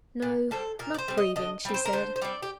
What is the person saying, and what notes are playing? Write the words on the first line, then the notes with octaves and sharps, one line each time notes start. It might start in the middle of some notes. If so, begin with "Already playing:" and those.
"No, not grieving," she said.
A#2
G3 C4 A4
A#2 A#4
D5
C5
G3 C4
D#5
D3 D#5
G3 C4
C5
A#4
D3 C5
C5
G3 C4 D5
G4